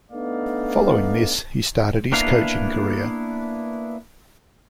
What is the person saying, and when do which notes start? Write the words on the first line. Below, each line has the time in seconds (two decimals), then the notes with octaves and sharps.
Following this, he started his coaching career.
0.11 A3 B3 D4 D#4 D5 F5
2.12 A#3 B3 D4 E4 F5